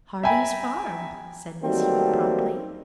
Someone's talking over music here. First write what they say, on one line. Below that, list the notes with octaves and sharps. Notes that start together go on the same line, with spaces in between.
"Heartsease Farm," said Mrs. Hewitt promptly.
E5 G5 G#5 A#5 B5
D#3 F#3 G3 A3 A#3 C4